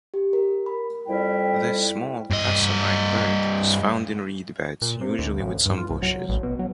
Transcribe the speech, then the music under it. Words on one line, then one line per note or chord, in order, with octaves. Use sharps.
This small passerine bird is found in reed beds, usually with some bushes.
G4
A#4
B5
F2 G3 E4 G5
G2 D#5
A#2
C3
D2
A1
G2
F4
C2
F#3
A1
B2
F#3